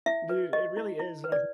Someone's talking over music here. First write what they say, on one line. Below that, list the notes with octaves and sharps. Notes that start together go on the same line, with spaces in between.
Dude, it really is, and I
E4 E5
B4
G4 D#5
E4
E4
B4
D5